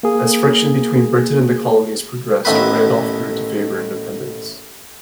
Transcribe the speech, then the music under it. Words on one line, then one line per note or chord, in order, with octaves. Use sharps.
As friction between Britain and the colonies progressed, Randolph grew to favor independence.
A#3 G#4
A1 D#2 A3 B3 B4